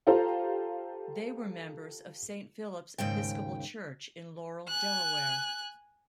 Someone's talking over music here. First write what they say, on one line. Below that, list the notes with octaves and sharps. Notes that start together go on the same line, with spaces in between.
They were members of Saint Philip's Episcopal Church in Laurel, Delaware.
F4 G4 A4 C5 F5 A#5
D#2 G#2 C#3 G5
G#5 F#6